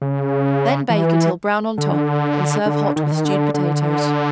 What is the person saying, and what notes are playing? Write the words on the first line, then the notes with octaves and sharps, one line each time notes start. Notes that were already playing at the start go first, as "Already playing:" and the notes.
Then bake until brown on top and serve hot with stewed potatoes.
C#3
E3
D3
D3
D#3
D3
D#3
D3
D3